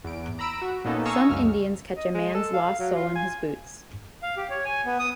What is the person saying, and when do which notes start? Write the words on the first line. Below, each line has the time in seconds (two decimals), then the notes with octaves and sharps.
Some Indians catch a man's lost soul in his boots.
0.04 E2 D7
0.39 A#5 B5 E6 D7
0.62 F#4
0.85 A#2 A#3 B3 C#4 D#4 A4
1.05 F5 G#5 A#5 C#6 D#6 E6
1.30 C#2 F#2 F6
1.97 D#5
2.14 G#3
2.35 A4
2.54 F5
2.79 F#3
2.96 F4
3.16 G#5
4.23 F5
4.37 G4
4.50 C#5
4.65 G#5
4.86 B3
4.99 D#6